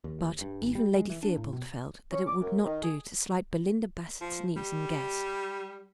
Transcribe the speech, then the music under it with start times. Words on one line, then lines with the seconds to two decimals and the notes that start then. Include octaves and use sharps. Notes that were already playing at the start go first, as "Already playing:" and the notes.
But even Lady Theobald felt that it would not do to slight Belinda Bassett's niece and guest.
0.04 D#2
0.41 G2
0.62 G#1
0.75 G3
0.95 G#3
1.10 E3
1.23 D4
1.37 A2
1.53 B2
2.12 C#4
2.27 D6
2.41 F#2
2.65 D#3
2.83 G#4
4.21 F3
4.56 G3